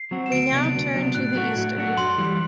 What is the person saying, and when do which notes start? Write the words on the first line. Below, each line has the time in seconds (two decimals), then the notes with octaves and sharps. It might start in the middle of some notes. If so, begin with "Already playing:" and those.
We now turn to the eastern.
Already playing: C7
0.11 F#3 C4 F#4
0.26 E7
0.32 D2 D7
0.52 C3 F#3 B3 D4
0.74 D2
0.94 C3 F#3 B3 D4
1.15 A2 F#6
1.35 F#3 A3 D4 F#4
1.56 A2
1.76 F#3 A3 D4 F#4
1.97 F#2 C6
2.18 E3 G3